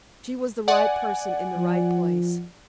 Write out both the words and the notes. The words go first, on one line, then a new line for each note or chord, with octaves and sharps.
She was the right person in the right place.
D5 F#5 G#5
F3